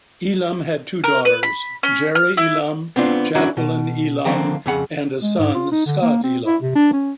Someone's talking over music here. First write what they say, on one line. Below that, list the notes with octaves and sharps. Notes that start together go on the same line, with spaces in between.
Elam had two daughters, Jeri Elam and Jacqueline Elam, and a son, Scott Elam.
A#4
B4
B5
C#4
F6
E4
B3 C4 D4 F4
C#4 D4 E4 F#4 A#4
B2
D3 D#3 F3 A#3 C4
F2 C#3 F#5
G#3
G#2
F4
D#4
D3
A#3
C4
E4
C3
D4
C#4